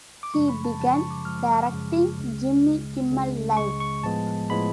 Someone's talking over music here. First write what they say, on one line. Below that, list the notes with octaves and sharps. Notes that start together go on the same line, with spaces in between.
He began directing Jimmy Kimmel Live!
D6
F#2 C#3 F3 G#3 C#6
B5
A5
F#2 C#3 F3 G#3 A5
C#6
D6
F#2 C#3 F3 G#3 F6
F#2 C#3 F3 G#3
C#2 C#3 G#3
C#2 C#3 G#3
C#2 C#3 G#3
C#2 C#3 G#3 C#6
C#6
A2 F3 G#3 B3 A5
A2 F3 G#3 B3 B5